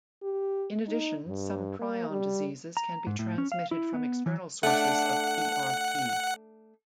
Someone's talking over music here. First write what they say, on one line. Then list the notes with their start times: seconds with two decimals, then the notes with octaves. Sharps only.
In addition, some prion diseases can be transmitted from external sources of PrP.
0.23 G4
0.88 D#4
1.28 G2
1.79 A#3
2.10 G3
2.77 A#5
3.07 G#2
3.19 A2
3.38 C#4
3.52 F5
3.71 E4
3.94 B3
4.26 E3
4.63 A3 D4 F#5